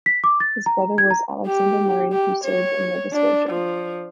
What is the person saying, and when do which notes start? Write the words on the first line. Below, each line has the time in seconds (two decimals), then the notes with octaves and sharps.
His brother was Alexander Murray who served in Nova Scotia.
0.06 B6
0.24 D6
0.40 A6
0.66 A#5
0.98 G#6
1.11 A#5
1.47 G4
2.12 G4
2.45 C#5
3.13 D4
3.50 F3